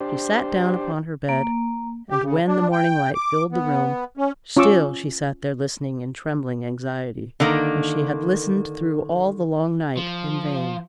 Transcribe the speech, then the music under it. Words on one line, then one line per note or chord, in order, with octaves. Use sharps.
She sat down upon her bed, and when the morning light filled the room, still she sat there listening in trembling anxiety, as she had listened through all the long night; in vain.
D4 G4 C5
A#3
G4
C#3
D4
G5
D6
B3
C#4
C#4 F4 C#6 D6 E6
D3 D#3 A#3
F3